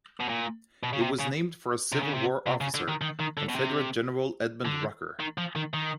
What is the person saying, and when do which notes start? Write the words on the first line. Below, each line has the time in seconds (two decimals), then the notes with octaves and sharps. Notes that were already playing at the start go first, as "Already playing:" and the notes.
It was named for a Civil War officer, Confederate General Edmund Rucker.
0.20 B2
0.29 A#2
0.83 B2
0.93 C#3
1.01 C3
1.19 C#3
1.92 C3
2.02 C#3
2.13 C3
2.46 C3
2.61 C#3
2.75 D3
2.88 D#3
3.02 D#3
3.20 D#3
3.37 D3
3.49 B2
3.55 C3
4.65 D3
5.20 D#3
5.38 F3
5.56 D#3
5.74 D#3